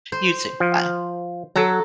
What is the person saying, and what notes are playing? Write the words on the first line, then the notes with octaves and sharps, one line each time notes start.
You too. Bye.
C5
F3
F#3 A4 A5 A#5